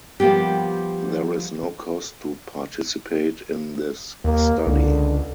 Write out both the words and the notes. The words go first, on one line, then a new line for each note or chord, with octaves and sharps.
There is no cost to participate in this study.
F3 G3 A#3 B3 G4
D#2 A#3
C#2 D3